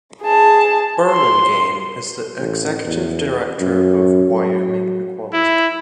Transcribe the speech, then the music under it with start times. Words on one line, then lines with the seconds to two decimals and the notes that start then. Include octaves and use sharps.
Burlingame is the executive director of Wyoming Equality.
0.22 G#4 A5
1.10 C6
2.39 A1
2.86 E2
3.60 F#2
4.31 F#3
5.34 E4